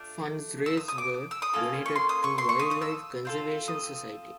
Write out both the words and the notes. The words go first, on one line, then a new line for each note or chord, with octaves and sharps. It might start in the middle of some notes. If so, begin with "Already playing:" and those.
Funds raised were donated to Wildlife Conservation Society.
Already playing: A3 D4 F4
E6
D#6
D#6
D6
E6
D#6
A#3 C#4 F4 A4
C#6
C6
D#6
C#6
C6
C#6
D#6
D#6
E6
C4 F4 A4
D#6